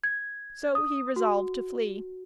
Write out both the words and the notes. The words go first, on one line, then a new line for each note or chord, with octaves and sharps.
So he resolved to flee.
G#6
D#6
F#4